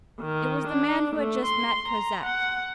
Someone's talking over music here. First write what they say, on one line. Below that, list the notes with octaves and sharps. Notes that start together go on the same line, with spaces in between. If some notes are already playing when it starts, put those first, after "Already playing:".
It was the man who had just met Cosette.
D#3
D4
A3
C6
A#5
F#5